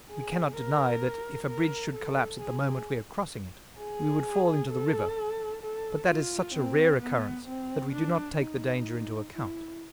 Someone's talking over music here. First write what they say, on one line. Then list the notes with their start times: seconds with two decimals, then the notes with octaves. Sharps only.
We cannot deny that if a bridge should collapse at the moment we are crossing it, we would fall into the river, but that is such a rare occurrence that we do not take the danger into account.
0.10 G#4
0.57 A#4
1.48 A#4
1.94 A4
2.41 G#4
3.79 G#4
4.71 A4
5.63 A4
6.09 F4
6.55 C4
7.01 B3
7.48 C4
7.93 D4
8.39 D#4
9.31 E4